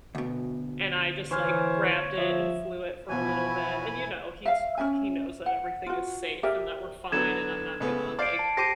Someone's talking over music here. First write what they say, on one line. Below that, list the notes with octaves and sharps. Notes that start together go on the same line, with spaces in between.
and I just, like, grabbed it and flew it for a little bit, and you know, he's he knows that everything is safe, and that we're fine, and I'm not gonna, like,
D2 B2
E3 C5 C#5 G#5 F6
F3 E5
B2 E3 F3 E4 F#4 G#5
E5 F5
C#4 D#4 E5 G#5
F#5
F4 F#4
G4 A#4 D5 E5
D3 F#3 B3 G#6 E7
C#2 A3 B3
C5 D5 F5 D6 C7 D7
A5
G4 C5 D6 A#6 C7 D#7